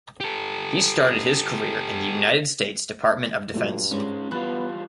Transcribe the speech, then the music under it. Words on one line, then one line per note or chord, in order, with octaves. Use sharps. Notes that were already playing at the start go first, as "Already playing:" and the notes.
He started his career in the United States Department of Defense.
G4 A4
G2 A#2 F#3 A3
G#2 G#3 C#4
E3 G3 B3 F4 B5 F#6